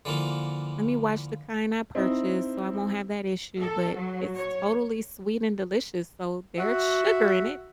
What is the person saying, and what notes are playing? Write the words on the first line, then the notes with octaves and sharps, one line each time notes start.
Let me watch the kind I purchase so I won't have that issue," but, it's totally sweet and delicious so there's sugar in it.
D3 E3 F3 A#3
C4 D#4 E4
A4
F#3
C#5
F#4 E5